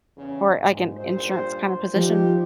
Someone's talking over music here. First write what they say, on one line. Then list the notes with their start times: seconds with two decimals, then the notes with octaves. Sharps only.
for, like, an insurance kinda position.
0.17 E2 C#3
0.56 G#2
0.97 G2 A#2 C5
1.96 F3 G3 D#4 G4